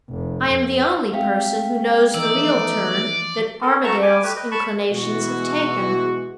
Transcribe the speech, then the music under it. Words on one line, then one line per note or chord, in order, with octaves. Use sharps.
I am the only person who knows the real turn that Armadale's inclinations have taken.
F1
F2
G#3 C4 G#4 E5 F5 G5
E3 F3 A3 B3 D#4 D5 E6
A4 A#4
A3 F#4 E5 A5 A#5 C#6
G#5 D6
A3 G4 B4
B4 D#5
A5 B5 C#6
B2 E3 G#3 F#4